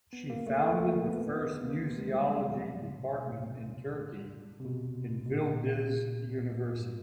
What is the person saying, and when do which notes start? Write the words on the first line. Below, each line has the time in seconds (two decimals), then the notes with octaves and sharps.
She founded the first Museology department in Turkey in Yildiz University.
0.13 B3
0.30 A#3
0.47 A3
0.64 A3
0.86 A#3
1.08 B3
1.30 B3
1.63 A#3
1.97 G#3
2.13 G3
2.30 F#3
2.48 F3
2.81 C#3
2.97 C3
3.15 B2
3.31 A2
4.60 C3
4.65 B2
5.26 B2
5.32 A#2
6.64 A2
6.76 G#2